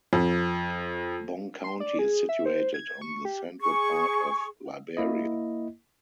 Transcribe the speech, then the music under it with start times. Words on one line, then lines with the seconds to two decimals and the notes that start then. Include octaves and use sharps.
Bong County is situated in the central part of Liberia.
0.13 F2
1.64 C6
1.80 D5
1.99 G#4
2.29 E5
2.46 C5
2.74 G#6
3.01 C#6
3.25 G4
3.60 G#4 C#6
4.97 A#3 E4 D#5